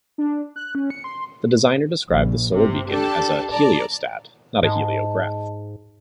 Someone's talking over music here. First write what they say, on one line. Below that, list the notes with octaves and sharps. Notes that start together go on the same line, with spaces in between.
The designer described the Solar Beacon as a "heliostat", not a "heliograph".
D4
F#6
C#4
C#7
C6
A#1
G1 C3
D4 G4 A4 A5
D5 A5 A#5
G#2 D#5 A5